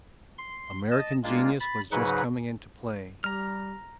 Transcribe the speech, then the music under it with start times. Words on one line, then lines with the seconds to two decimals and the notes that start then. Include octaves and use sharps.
American genius was just coming into play.
0.38 C6
0.92 D#5 A5
1.24 G#3 A#3 D4 F4
1.60 B5 A6
1.92 G#2 C#3 F#3 D#4 B4 F#5
3.24 G3 A#5 F6